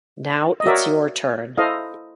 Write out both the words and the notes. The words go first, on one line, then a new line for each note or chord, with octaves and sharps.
Now it's your turn.
D#5
F#4 A#4 C#5 D5 E5
E4 A4 C5 D#5 F5